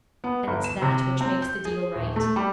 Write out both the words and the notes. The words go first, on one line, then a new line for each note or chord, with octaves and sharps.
And it's that which makes the deal right.
B3
G1
E7
C3
C4
G6
G#4
D#1
A3
G3